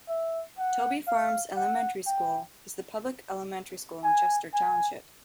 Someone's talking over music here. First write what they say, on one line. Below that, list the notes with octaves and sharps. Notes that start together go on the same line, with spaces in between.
Toby Farms Elementary School is the public elementary school in Chester Township.
E5
F#5
F5
F#5
G5
G#5
G#5